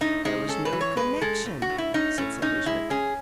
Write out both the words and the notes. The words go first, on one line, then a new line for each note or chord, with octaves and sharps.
"There was no connexion," said Sir Richmond.
A2 D#4
G#3 D#4
C#4 A4
B4
E3
C#5
G#3 B4
G#3 A4
A2
F#4
A2
E4
C#4 D#4
A2 C#4
C#4 D#4
G#3 E4
C#4 G#4